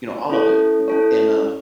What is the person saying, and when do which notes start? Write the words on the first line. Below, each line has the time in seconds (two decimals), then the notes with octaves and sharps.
you know, all of it m and, uh,
0.29 C#4 E4 A4 C#5
0.88 C#4 E4 A4 C#5